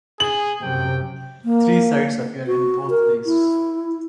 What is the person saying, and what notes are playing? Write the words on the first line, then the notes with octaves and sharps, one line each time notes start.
Three sites appear in both lists.
G#4 F#7
F#2 C3 G5
A#3
F#4
A#4
E4